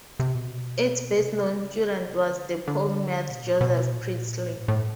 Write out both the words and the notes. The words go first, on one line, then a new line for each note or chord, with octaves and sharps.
Its best-known student was the polymath Joseph Priestley.
C3
B2
C3
C#3
C3
D3
D3
B2
A#2
B2
A#2
A2
A2